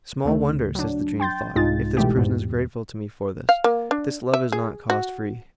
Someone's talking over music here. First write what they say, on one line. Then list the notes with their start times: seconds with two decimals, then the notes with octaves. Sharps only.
Small wonder, says the dream thought, if this person is grateful to me for this--this love is not cost-free.
0.25 D2 C#3 A3
0.75 F#3 D4
1.20 G5 C6 G6 A6
1.55 C2 G#2 G#3 D#4 F4 A6
1.97 B2 E3 G#3 A3 G4
2.17 E2 G#2
3.49 F5
3.64 A#3
3.91 D4
4.34 E5
4.52 G#4
4.90 F#4